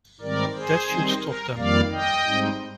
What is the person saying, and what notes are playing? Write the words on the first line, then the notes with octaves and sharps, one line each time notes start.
That should stop them.
G#2 D#3 G3 C4 A#4 D5
G#4 C5
D#3 G3 C4 D#4
A#4
F2 D#3 G3 A#3 D5 F5
D#5 G5
G#2 G3 C4 D#4